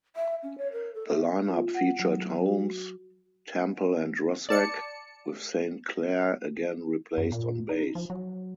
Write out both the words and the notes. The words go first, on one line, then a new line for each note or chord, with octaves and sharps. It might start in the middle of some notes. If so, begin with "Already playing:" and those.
The line-up featured Holmes, Temple and Russack, with Saint Clare again replaced on bass.
E5
C#4
C#5
A#4
A4
E5
F4
F#5
F#3
F#4
D5 A5 C#7
F#2
A#2
D#4
F3
F#3